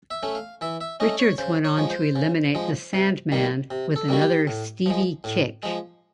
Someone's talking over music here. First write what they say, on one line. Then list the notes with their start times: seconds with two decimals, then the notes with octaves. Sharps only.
Richards went on to eliminate The Sandman with another "Stevie Kick".
0.11 E5
0.23 A3 C#4
0.35 F5
0.61 E3 E5
0.81 E5
1.00 A3 C#4 D#5
1.19 C#5
1.38 C#3 C5
1.65 C#5
1.77 F3 G#3
1.90 C5
2.16 C#3
2.55 F3 G#3
2.93 C3
3.32 D#3 G3 A#3
3.71 C3
3.96 A4
4.08 D#3 G3 A#3 F#4
4.21 G4
4.47 A2
4.86 F3 G#3
5.24 A2
5.63 F3 G#3